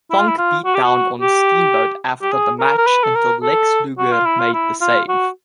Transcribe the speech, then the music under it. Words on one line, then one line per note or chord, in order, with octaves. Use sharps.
Funk beat down on Steamboat after the match until Lex Luger made the save.
E4
F4
E4
F4
F#4
G4
F#4
G4
G4
G#4
A#4
A#4
B4
A4
A#4
A4
F#4
F4
E4
F4
E4
F4
F#4